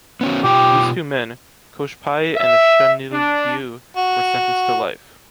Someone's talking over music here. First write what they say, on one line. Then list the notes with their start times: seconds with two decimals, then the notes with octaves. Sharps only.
These two men, Cochepaille and Chenildieu, were sentenced to life.
0.21 B3 C#4 F#4
0.44 B2 F4 G4 G5
2.36 E5
3.12 D4
3.97 F#4